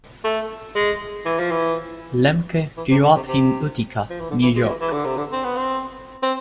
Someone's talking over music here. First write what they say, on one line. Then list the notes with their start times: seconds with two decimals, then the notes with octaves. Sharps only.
Lemke grew up in Utica, New York.
0.24 A3
0.75 G#3
1.25 E3
1.39 F3
1.51 E3
2.77 E3
2.91 C3
3.03 D3
3.16 C3
3.28 C3
4.10 F3
4.20 E3
4.30 D3
4.42 E3
4.56 G#3
4.63 F3
4.68 E3
4.81 E3
4.93 D3
5.05 C3
5.17 D3
5.32 C4
5.44 B3
5.56 C4
6.23 C4